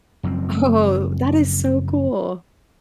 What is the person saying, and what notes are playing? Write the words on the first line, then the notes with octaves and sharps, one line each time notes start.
Oh, that is so cool.
F#1 F#2 F3 C4